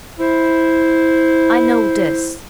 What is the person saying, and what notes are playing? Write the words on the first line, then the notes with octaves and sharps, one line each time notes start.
I know this.
E4 C5